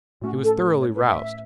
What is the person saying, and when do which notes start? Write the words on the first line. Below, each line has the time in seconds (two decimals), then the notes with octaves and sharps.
He was thoroughly roused.
0.21 A2 A3 C#4 F#4
0.43 A4
0.65 A4
0.80 C#5
0.94 B4
1.09 E5